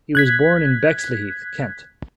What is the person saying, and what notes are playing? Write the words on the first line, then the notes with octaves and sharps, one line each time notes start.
He was born in Bexleyheath, Kent.
F#6 G#6 B6